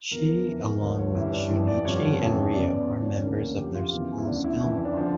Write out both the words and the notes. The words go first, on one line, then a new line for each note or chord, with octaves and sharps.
She along with Shunichi and Riho are members of their school's film club.
E2 D3 F3 A#4
F2 E3
A#4
D2 D3 F3 C#5
C#5
G2 E3 E4
D4
F2 E3 E4
D5
G2 D3 F3 C#5
F2 C#3 E3
E2 C#3 E3 D5
D5
F2 D3 F3
C#5
D4
C#4
D2 C#3 E3 A#3
C#4
F2 D3 F3 G4
F4
E2 C#3 E3
E4
D2 C#3 E3 D4
E4
F2 E3 E4
E4
D4
D3 F3